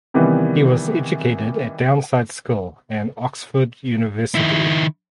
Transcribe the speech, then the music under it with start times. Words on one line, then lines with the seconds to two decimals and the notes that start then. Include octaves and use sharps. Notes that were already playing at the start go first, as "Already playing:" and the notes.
He was educated at Downside School and Oxford University.
0.14 C3 D#3 E3 G3 B3
4.35 D#3 E4